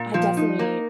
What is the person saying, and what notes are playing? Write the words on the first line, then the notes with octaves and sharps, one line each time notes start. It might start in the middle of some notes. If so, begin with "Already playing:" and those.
I definitely,
Already playing: A#2
F3
D#4
A#3